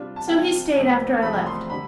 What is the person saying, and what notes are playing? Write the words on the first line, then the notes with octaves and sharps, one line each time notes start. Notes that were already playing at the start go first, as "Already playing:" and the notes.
So he stayed after I left.
Already playing: C3 G3 D4 F4
A5
C3 G3 D4 F4 G5
C2 C3 F3 A3 C4
C2 C3 F3 A3 C4 B5
C6
D3 G3 B5